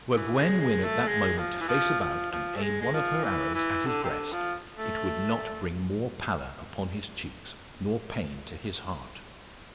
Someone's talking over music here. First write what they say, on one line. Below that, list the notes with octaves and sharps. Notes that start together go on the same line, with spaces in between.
Were Gwen Wynn at that moment to face about, and aim one of her arrows at his breast, it would not bring more pallor upon his cheeks, nor pain to his heart.
E3
G#3
G#3
A3
G#3
F3
E3
F3
F3
F3
A3
G#3
G#3
F3
E3
E3
D3
C3
D3
F3
A3